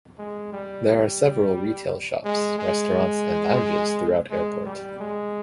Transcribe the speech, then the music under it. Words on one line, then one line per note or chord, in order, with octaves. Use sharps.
There are several retail shops, restaurants and lounges throughout airport.
G#3
G3
G#3
G#3
G#3
G3
G#3